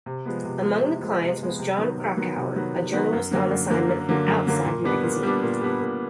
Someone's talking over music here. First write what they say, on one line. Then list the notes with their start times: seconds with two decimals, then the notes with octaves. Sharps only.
Among the clients was Jon Krakauer, a journalist on assignment from "Outside" magazine.
0.06 C3
0.26 F3 G#3 B3
0.44 C3
0.64 F3 G#3 B3
0.82 C3
1.02 F3 G#3 B3
1.21 C3
1.41 F3 G#3 B3
1.59 C3
1.78 D#3 F#3 B3
1.98 C3
2.17 D#3 F#3 B3
2.36 C3
2.55 D#3 F#3 B3
2.74 C3
2.93 D#3 F#3 B3
3.13 F#2
3.31 D3 F#3 A#3
3.51 F#2
3.70 D3 F#3 A#3
3.89 F#2
4.09 D3 F#3 A#3
4.28 F#2
4.47 D3 F#3 A#3
4.65 A#2
4.84 G3 B3 D4
5.03 A#2
5.23 G3 B3 D4
5.43 A#2
5.61 G3 B3 D4
5.81 A#2